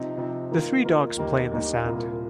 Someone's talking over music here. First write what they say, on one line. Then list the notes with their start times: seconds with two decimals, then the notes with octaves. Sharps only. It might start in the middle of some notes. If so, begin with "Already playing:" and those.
The three dogs play in the sand.
Already playing: C3 F3 C4 D#4
0.17 C3 F3 C4 D#4
0.51 D#3 A#3 F4 A#4
0.84 D#3 A#3 F4 A#4
1.18 D#2 D#3 A#3 D#4 G4
1.51 D#2 D#3 A#3 D#4 G4
1.84 C2 A#2 A#3 F4